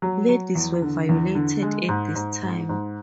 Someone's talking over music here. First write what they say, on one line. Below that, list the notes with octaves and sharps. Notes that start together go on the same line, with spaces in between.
Ladies were violated at this time.
F#3
F#3
E2
D3
E2
D3
G#3
G#2
G#2
G#2
G#2